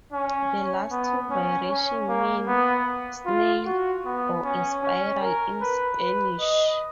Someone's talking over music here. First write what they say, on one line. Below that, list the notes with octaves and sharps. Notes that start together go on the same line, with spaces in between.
The last two variations mean "snail" or a "spiral" in Spanish.
C#4
B3
C#4
C#4
A#3
B3
F4
F#4
B3
C#4
C#4
A#4
B4
B4
D#5